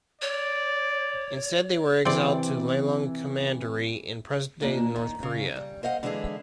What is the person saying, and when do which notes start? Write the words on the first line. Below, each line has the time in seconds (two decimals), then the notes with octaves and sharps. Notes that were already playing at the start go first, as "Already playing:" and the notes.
Instead they were exiled to Lelang Commandery in present-day North Korea.
0.22 C#5 D5
2.05 C3 E3 C4 D5
4.61 D#2 A#2 A#3 D4
4.96 D#3
5.23 C#3
5.56 G3
5.83 C5 D#5 F5 F#5
6.03 D3 E3 G#3 E4 G#4